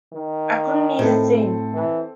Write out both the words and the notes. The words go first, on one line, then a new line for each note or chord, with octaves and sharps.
I couldn't eat a thing.
D#3
A2 C4 A4
E3